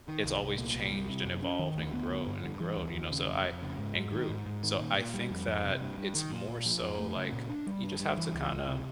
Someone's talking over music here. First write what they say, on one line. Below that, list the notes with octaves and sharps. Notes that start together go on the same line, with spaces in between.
It's always changed and evolved and grow and grown, you know, so I and grew so I think that it's more so, like, you just have to kinda
D#3
C2
C2
A#2
C2
G3
C3
F#2
C#4
D#3
D2
B3
D3
G2
G2
E3
D#2
D#2
C#3
F2
F2
C#3
G#2
G#2
D#3
G#2
G#2
D#3
A#2
A#2
G3
F2
F2
C3
G2
G2
D#3
A#2
A#2
F3
F2
A3
C#3
A#2
D4
G3
G2
G2
E3
C#2
C#2
C3